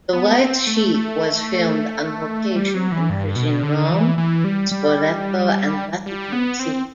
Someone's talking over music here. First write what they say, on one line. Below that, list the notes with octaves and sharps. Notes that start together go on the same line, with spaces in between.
"The White Sheik" was filmed on location in Fregene, Rome, Spoleto and Vatican City.
B3
C4
A3
A3
G3
F#3
E3
G2
B2
D3
E3
E3
G3
G3
G3
B3
C4